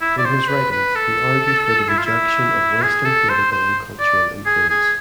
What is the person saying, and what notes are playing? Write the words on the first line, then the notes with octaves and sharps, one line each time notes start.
In his writings he argued for the rejection of Western political and cultural influence.
E4
D5
C5
B4
B4
A4
E4
F4
E4
G#4
A4
C5
C5
D5
G#4
G#4